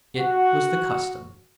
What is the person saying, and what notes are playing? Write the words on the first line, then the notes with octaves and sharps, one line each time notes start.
It was the custom.
F#4